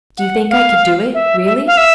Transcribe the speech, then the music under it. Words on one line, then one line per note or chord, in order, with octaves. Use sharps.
"Do you think I could do it, really?"
F#5
F5
E5
E5
F5
E5